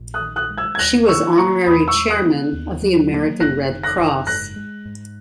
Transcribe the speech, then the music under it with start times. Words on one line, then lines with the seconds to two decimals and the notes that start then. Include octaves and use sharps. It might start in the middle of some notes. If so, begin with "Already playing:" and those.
She was Honorary Chairman of the American Red Cross.
Already playing: A#1
0.14 D#6 F#6
0.22 D#3
0.36 D#6 F#6
0.50 G#3
0.58 E6 G#6
0.75 G#6
0.79 D#2 F#6 A#6
1.08 E3 C#6 E6
1.37 A#3 A#5 C#6
1.67 E2 B5 D#6
1.88 C#6 E6
1.95 G#3
2.09 D#6 F#6
2.25 B3
2.53 D#2
2.82 F#3
3.12 A#3
3.40 F#1 F#6 A#6
3.69 D#3
3.83 F#6 A#6
3.98 F#1
4.27 G#2 F#6 A#6
4.56 G#3
4.85 G#2